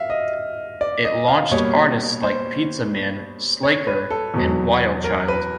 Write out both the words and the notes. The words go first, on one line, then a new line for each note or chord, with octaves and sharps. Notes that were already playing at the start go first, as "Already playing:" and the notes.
It launched artists like Pizzaman, Slacker, and Wildchild.
Already playing: E5 F5
D#5
D5
D#5
F5
B2 G3 A#3 C#5
C5
C#5
B4
A4
E2 B2 F#3
A#4
B4